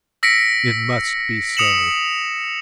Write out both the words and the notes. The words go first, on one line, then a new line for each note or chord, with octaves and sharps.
It must be so.
E6 A#6 B6 C#7 D7
D#6 C#7 E7 F#7